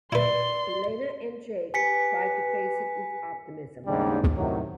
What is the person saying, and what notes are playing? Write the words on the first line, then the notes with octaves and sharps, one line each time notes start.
Elena and Jake try to face it with optimism.
E4 B4 D5 C6
G4 B4 G#5 B6 C#7
D#2 G#2 C#3 G3 D4 G4
A2 C3 D#3 F#3